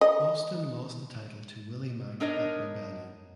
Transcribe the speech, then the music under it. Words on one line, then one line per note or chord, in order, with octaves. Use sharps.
Austin lost the title to Willie Mack at Rebellion.
D#5
B3 D4 D#4 A#4 C#5 D#5